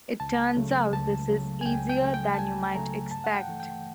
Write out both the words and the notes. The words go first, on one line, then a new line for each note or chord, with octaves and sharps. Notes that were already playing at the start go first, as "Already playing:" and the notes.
It turns out this is easier than you might expect.
C#2 A5
C#3 F#3 A3
C#2 A5
C#3 F#3 A3
G#5
C#2 G5
G5
C#3 F#3 A3
G5
A5
C#2 G#5
C#3 F#3 A3 A#5
G2 A5
F#5
G5
E3 A3
G5